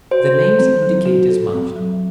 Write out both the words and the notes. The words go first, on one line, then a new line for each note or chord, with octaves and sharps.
The names indicate as much.
F#4 C5
A4
C4
F#3
F#4
A4
C4
F#3